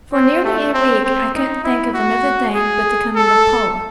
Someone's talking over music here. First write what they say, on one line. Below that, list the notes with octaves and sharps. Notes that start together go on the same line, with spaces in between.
For nearly a week I couldn't think of another thing but the coming of Paula.
C4
A3
C4
C4
D#4
E4
F#4
G#4
A4